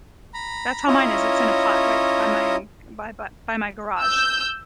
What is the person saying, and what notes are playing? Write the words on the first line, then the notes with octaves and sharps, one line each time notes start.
That's how mine is, it's in a pot right by my by by my garage,
A#5 B5
C#4 E4 F4 C#5 D#5 A#5
E6 G6